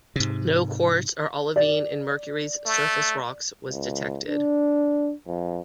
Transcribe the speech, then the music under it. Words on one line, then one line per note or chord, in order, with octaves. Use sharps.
No quartz or olivine in Mercury's surface rocks was detected.
G#2 C3
D5
A3
C#2
D4
F2